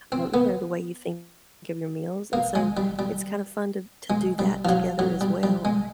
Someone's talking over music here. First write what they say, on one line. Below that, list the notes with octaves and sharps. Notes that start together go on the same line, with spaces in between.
um, you know, the way you think of your meals. And so it's kind of fun to to do that together as well.
C4
B3
A#3
G#3
G3
G3
G#3
G3
F3
F#3
F#3
G3
G3
G#3